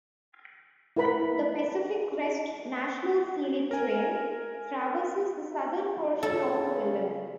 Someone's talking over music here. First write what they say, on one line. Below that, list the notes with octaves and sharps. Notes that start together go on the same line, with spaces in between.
The Pacific Crest National Scenic Trail traverses the southern portion of the wilderness.
E4 A#4 B4 B5
A#4 G#5
C#3 A4